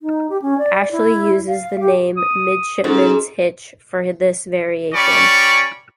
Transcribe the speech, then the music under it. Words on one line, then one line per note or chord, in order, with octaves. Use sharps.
Ashley uses the name midshipman's hitch for this variation.
D#4
G4
C#4
D5
E4
F5
G4
D#6
G#2 C#4 F#4 A4
C#4 G4 D5 B5 C#6